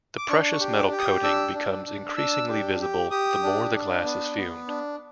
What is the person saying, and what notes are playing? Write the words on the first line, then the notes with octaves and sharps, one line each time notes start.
The precious metal coating becomes increasingly visible the more the glass is fumed.
D6
D4 C#6
C#6
G4
D6
G4
D#6
D4 E6
D4
D4
D4 E6
G4
G4
G4 D#6
D4
D4
B3
B3
D4